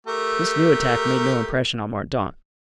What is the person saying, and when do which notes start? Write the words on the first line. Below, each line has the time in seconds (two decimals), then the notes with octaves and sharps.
This new attack made no impression on Mordaunt.
0.07 A3 G4 A#4